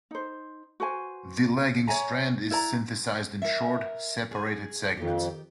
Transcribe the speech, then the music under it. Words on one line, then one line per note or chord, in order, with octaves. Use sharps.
The lagging strand is synthesized in short, separated segments.
D#4 C5
F#4 B4 C5 G#5
C#5 E5 G#5 A#5
E4 B4 D5 A#5
A#4 E5
G#4 G#5
F2 D#3 G4